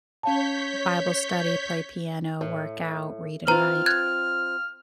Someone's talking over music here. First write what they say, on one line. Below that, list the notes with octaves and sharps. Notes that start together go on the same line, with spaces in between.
bible study, play piano, workout, read and write.
C#4 C#5 F5 A5 G6 B6
A2
C4 F4 B4 C5 A#5 F6
F#6 G#6 A6